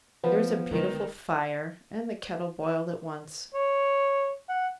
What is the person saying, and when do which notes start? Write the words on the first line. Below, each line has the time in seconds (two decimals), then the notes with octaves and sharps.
There was a beautiful fire, and the kettle boiled at once.
0.24 F3 B3
0.71 D3 D#3 G#3
3.54 C#5
4.49 F#5